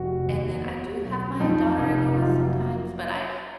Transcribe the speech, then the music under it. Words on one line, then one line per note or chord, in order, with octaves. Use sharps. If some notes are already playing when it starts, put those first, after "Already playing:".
and then I do have my daughter I go with sometimes, but I
Already playing: F1 F#4
D#2
B3
B1
F2 D#4
F1 D#4
D#4
F#3 F4
F#4
A#3